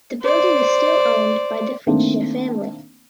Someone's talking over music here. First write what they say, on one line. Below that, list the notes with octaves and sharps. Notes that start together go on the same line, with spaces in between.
The building is still owned by the Fritzsche family.
C5 D5
D#3 A3 A#3 C4 D4